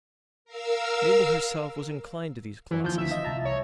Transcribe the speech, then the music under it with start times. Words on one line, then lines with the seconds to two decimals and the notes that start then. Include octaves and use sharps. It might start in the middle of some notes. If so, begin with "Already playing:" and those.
Mabel herself was inclined to these clauses.
0.45 A#4 F5 E6
2.71 E3
2.84 D#2 F3 G6
2.98 D2 E3 E5
3.11 F4 D#5
3.25 C2 A5 A#5
3.45 C#5